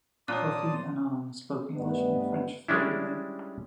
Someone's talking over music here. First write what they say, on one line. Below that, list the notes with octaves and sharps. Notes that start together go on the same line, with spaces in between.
Kofi Annan spoke English and French fluently.
A#2 C#5 D5 A5 C6 D#6 F#6
G2 G3 A3 B3 B4 D#5
G3 G#3 C#4 D4 E4